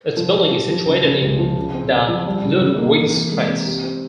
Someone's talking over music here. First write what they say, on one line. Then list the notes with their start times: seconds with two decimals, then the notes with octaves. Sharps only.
Its building is situated in the Ludwigstrasse.
0.17 F3
0.34 G4
0.51 F3
0.69 F3
0.86 C#3
1.04 C#3
1.21 C#2
1.39 F3
1.56 C#3
1.74 C4
1.91 C4
2.08 F3
2.27 G3
2.43 C#3
2.61 C#3
2.78 A#3
2.96 E3
3.14 C3
3.31 G#3
3.48 C3
3.66 G4
3.84 C4